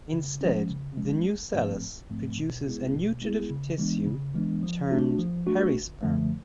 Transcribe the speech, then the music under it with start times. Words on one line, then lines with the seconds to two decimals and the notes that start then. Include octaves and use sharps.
Instead, the nucellus produces a nutritive tissue termed "perisperm".
0.13 C#3
0.41 F3 G#3 C#4
0.69 C#3
0.97 F3 G#3 C#4
1.25 A1
1.54 G#2 F3 A3 C4
1.81 A1
2.09 G#2 F3 A3 C4
2.38 B2
2.66 G#3 B3 E4 G#4
2.94 B2
3.22 G#3 B3 E4 G#4
3.50 C#3
3.78 E3 G#3 B3 D4
4.06 C#3
4.35 E3 G#3 B3 D4
4.63 F3
4.91 A3 D4 F#4
5.19 F3
5.47 A3 D4 F#4
5.75 G1
6.03 F#2 D3 F3 A3